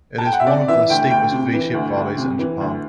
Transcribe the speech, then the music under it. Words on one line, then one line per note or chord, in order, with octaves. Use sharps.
It is one of the steepest V-shaped valleys in Japan.
A5
G5
F#5
E5
C3 D5
E3 E5
D2 G5
D2 G5
C3
E3
D2
D2
C3
E3
D2